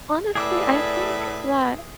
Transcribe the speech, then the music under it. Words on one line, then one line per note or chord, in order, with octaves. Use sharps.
Honestly, I think that,
A2 G#4 B4 D5 E5 D6 E6